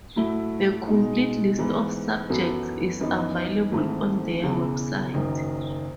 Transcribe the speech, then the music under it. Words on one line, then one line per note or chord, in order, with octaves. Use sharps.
The complete list of subjects is available on their website.
A2 F#3 A3 E4
B2 G#3 D#4
G#2 E3 B3
F#2 E3 B3 F#4 A4
F#2 E3 B3 D#4
G#1 G#2 E3 A3
E1 E2 C#3 E3
F#1 F#2 D#3